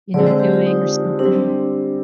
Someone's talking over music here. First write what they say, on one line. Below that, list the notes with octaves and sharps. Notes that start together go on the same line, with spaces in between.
you know, "doing?" or something.
D3 G#3 C4 D5
C5
G4
F4
D#4
G3 C4 D4 G4